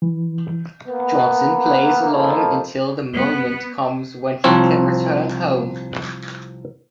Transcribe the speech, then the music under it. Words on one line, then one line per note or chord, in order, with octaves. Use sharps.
Johnston plays along until the moment comes when he can return home.
E3
A#3 B3
F3 A#3 D#4 E4 A4
B3
C2 F3 C4 C#5 G#5